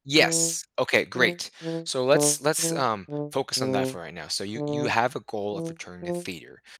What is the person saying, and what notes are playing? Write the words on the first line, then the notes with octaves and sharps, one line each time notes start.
Yes. Okay, great. So, let's let's, um, focus on that for right now. So, you you have a goal of returning to theater,
E3
F3
E3
D3
E3
D3
C3
D3
E3
F3